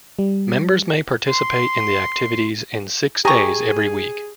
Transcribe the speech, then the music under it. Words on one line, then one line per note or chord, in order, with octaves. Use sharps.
Members may participate in the activities in six days every week.
G3
C6
G4 G#4 G#5 A#5 C#6 D#6